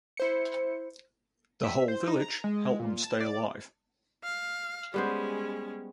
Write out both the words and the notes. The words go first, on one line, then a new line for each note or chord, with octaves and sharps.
The whole village helped them stay alive.
E4 C5 C#7
E5
C5
D#4
A#5
G#3
A#2
A5
D5
F5
G3 G#3 B3 C#4 C5